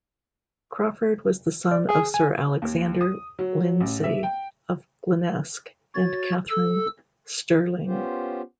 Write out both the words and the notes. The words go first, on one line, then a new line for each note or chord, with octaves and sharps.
Crawford was the son of Sir Alexander Lindsay of Glenesk and Katherine Stirling.
D5
G#4
G#5
D#2
D#6
F#3
A1
E5
G5
F#4 C#5 A6
A4 E6
B3 C#4 F4 G4 C5